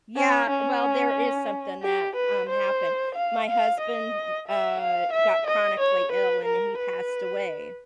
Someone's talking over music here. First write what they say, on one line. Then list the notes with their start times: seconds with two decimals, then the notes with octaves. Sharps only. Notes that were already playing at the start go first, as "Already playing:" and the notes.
yeah, well, there is something that, um, happened, my husband, uh, got chronically ill, and he passed away,
0.16 C#4
0.50 C#4
1.83 G4
2.16 B4
2.49 C5
3.14 F5
3.48 F5
3.80 D#5
4.47 E5
4.80 F5
5.12 E5
5.46 D#5
5.79 C#5
6.12 B4
6.45 A#4
6.78 B4